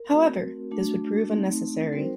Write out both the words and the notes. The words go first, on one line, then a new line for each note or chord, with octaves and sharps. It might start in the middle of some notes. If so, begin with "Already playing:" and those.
However, this would prove unnecessary.
Already playing: A#4
A3 C4 F#4
A3 D4 F#4
A3 C4 D#4
G3 C4 D#4 F#4 A#4
C5